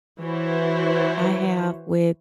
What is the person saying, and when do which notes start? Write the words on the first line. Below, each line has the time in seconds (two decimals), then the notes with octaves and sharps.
I have with
0.20 E3 E4 F#4 C5 C#5